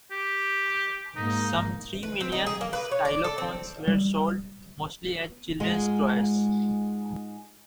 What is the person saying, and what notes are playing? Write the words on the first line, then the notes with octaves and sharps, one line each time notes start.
Some three million Stylophones were sold, mostly as children's toys.
G4
G#2 A#3 D#4
B4
C4
D#4
G#4
A#3
B4
C#5
D5
A4
C4
G3
G#2 G#3 F4 G#4